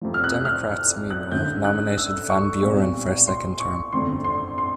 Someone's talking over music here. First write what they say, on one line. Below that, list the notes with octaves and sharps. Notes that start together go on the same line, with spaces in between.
Democrats, meanwhile, nominated Van Buren for a second term.
F2 C3 F3
F6
F#6
F6
F#6
G#1 F#2 D3 G6
F#6
E6
C#6
B1 A#2 G3 C4
C6
C#6
G1 F2 D3 C6
C6
C6